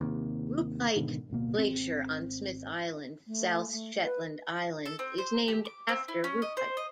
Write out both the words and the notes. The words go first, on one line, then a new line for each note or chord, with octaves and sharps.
Rupite Glacier on Smith Island, South Shetland Islands is named after Rupite.
D#2 C3
G#2 B2 D3 D#3
D1 G1 B2 A#3
G#1 C4
A3
A3
B4
A4
C4
C5
G4
D6
C4
E4
C#4
D#5
C5
D#5